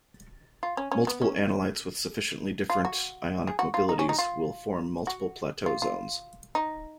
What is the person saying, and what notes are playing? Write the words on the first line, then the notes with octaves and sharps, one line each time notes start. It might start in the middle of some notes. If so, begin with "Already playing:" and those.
Multiple analytes with sufficiently different ionic mobilities will form multiple plateau zones.
F4
C#4
C#4
B3
C#4
F4
F#4
G#4
F#4
F4
D#4
C#4
D#4
F4
F#4
F4
F4
D#4